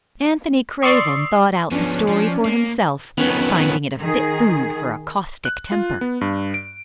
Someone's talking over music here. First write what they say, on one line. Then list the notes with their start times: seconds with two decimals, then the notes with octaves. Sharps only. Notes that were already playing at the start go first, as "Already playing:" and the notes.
Anthony Craven thought out the story for himself, finding it a fit food for a caustic temper.
0.82 D5 C6 C#6 D#6 E6 C7
1.71 F3 B3 C#4 D4
2.08 F3
2.45 A#3
3.18 F2 D#3 B3 C#4 B4
4.01 D#3 G#4
5.45 F#6
5.72 F4
6.01 B3
6.21 G2
6.54 D7